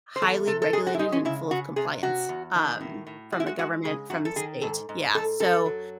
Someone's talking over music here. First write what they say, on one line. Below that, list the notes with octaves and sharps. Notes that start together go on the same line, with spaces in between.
highly regulated and full of compliance, um, from the government, from the state. Yeah, so
C5
E2 A4
C3 A4
A4
G#2 G#4
F#4
E4
G#3 D#4
C#4
C#3 E4
C#3 F#4
C3 G#4
C3 F#4
E2
D#3
A2
A2
G#3 F#4
E4
F#4
G#3 F#4
C#3 G#4
F#2 F#4
A4
D#3 G#4
G#2 A4
G#2
G#2 A4
F#2 A4
F#3